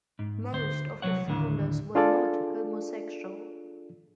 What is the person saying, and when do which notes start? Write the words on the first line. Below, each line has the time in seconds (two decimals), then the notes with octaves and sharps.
Most of the founders were not homosexual.
0.19 G#2
0.53 D2 C5
1.02 C2 A2 F#3 C#5 F#5
1.27 D#2 A2 D3
1.95 D4 F4 G#4 A4 D5